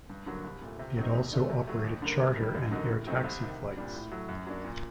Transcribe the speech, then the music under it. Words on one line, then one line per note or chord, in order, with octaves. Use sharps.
It also operated charter and air taxi flights.
G2
D3 F#3 A#3
C2
A#2 A3
C3
F#3 C4 D#4
D#2
D3 A3 D4
C3
F#3 A3
D#2
D3 G3 A#3
G2
D#3 G3
F#2
D3 F#3 A#3 D#4
A2
F#3 A3 C4 D#4
C2
C3 D#3
C2
A#2 G3 D4
A2
F#3 A3
F#2
F#3 A#3 D4
A#2